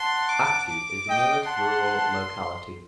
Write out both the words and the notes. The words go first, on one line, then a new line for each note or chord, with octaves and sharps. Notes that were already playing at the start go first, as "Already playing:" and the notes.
Aktau is the nearest rural locality.
Already playing: F#5 A5 C6
D6
D6
D#5 G5
F#5 A5 C6